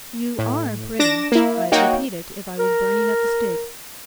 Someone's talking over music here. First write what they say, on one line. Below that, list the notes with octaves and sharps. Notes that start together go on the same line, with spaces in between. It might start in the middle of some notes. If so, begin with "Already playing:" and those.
You ARE pretty: I'd repeat it if I was burning at the stake.'
A2
D4 D6 A#6 E7
A#3 E4
A#3 D#4 F#4 C#5 G5
A#4